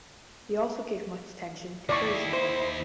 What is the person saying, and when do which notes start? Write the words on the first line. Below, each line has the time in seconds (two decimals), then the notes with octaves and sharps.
He also gave much attention to Persian.
1.89 D#2 E4 D5 C#6
2.33 C5